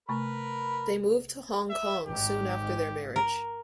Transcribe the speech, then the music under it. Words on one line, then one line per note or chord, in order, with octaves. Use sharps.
They moved to Hong Kong soon after their marriage.
C3 A3 A#4 B4 B5
E5
G#1 G#2 G4
A#4